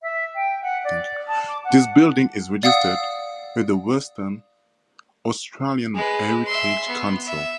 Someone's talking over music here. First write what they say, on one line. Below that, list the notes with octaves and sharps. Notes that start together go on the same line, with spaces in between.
The building is registered with the Western Australian Heritage Council.
E5
G5
F#5
D5
A5
D6
F#5
D5 F5 F#5 D#6 E6
G#3 B4
E5 C6
B3
E5